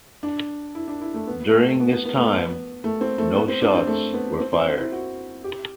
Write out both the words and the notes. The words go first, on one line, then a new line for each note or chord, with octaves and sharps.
During this time, no shots were fired.
D4
E4
D4
E4
A3
B3
A3
B3
B3
B3
A3
B3
A3
C4
A3
B3
C4
D4
C4
A3
B3
C4
C4
C4
E4
F#4
G4